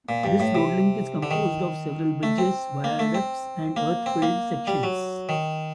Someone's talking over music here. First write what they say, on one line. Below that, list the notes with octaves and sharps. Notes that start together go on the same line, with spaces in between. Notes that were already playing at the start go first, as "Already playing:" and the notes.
This roadlink is composed of several bridges, viaducts and earth-filled sections.
A#2
G2
A2
C3
D3
D#3
A3
C4
A#3
A3
C4
A#3
C4
A#3
G3
F#3
D#3